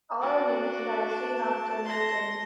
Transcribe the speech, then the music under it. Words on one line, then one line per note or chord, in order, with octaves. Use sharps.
All males die soon after mating.
D4 F#4
A5
C6 A#6